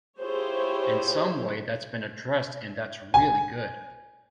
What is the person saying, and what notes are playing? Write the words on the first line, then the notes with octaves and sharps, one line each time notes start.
In some way that's been addressed and that's really good.
E4 F4 G4 G#4 C5 C#5
G#5